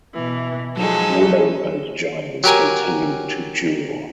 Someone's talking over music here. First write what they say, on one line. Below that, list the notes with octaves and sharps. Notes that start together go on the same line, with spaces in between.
Willow and Giles continue to duel.
B2 E3
F3 F#3 G#3 D#4 A4
F#3 G4 A#4 G#5